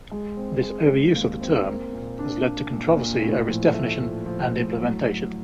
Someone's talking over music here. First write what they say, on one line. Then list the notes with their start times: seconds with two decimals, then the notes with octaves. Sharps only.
This overuse of the term has led to controversy over its definition and implementation.
0.11 G#3
0.37 C4
0.63 G#3
0.90 G#3
1.16 D#2
1.41 C4
1.67 A#3
1.93 A#2
2.19 D4
2.44 D4
2.71 A#2
2.97 A#2
3.22 A2
3.48 F3
3.74 A3
4.00 F3
4.26 F3
4.52 A2
4.78 F#3
5.04 F#3